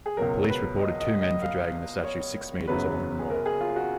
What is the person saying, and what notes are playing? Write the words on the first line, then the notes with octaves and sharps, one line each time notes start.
Police reported two men for dragging the statue six metres along the mall.
G#4
C#2 B2 F#3 A#4
B4
D#5
D#5
D#5
F5
C#5
F#1 F#2 C#3 F#3 B3 B4
G#4
A#4
G#4
F4
F#4